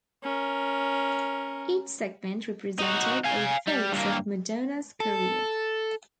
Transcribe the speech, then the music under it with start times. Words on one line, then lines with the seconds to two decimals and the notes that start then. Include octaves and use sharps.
Each segment represented a phase of Madonna's career.
0.23 C#4 A#4
2.79 D#4 F#4
3.24 F5 G#5
3.67 G3
3.93 G2 A#3
5.00 A4